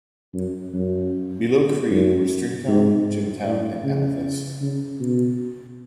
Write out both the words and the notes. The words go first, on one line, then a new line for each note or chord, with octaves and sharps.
Below Creede were Stringtown, Jimtown, and Amethyst.
F#2
F#2
F#2
G#2
A2
C#3
C#3
B2